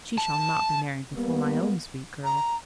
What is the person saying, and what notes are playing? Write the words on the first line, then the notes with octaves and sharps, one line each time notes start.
'But she shall not be married before my own sweet girl.
A5
G3 A#3 B3
A#5